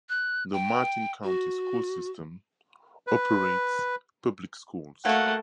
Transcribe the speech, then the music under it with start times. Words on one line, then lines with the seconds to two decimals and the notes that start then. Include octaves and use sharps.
The Martin County School System operates public schools.
0.09 F#6
0.53 G5
1.24 F#4
3.07 B4
5.05 A3 A#3 F#4 F#5